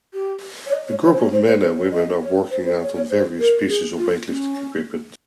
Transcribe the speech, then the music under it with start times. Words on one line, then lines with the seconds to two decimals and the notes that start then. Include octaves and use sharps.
A group of men and women are working out on various pieces of weightlifting equipment.
0.14 G4
0.66 C#5
0.73 D#5
0.88 C#5
1.02 C#5
1.11 C5
1.17 C#5
1.32 C5
1.47 C5
1.61 C5
1.76 C#5
1.91 D#5
2.21 C#5
2.51 C5
2.65 C5
2.80 C#5
2.95 C#5
3.10 C5
3.39 A#4
3.68 G#4
3.98 F4
4.28 C#4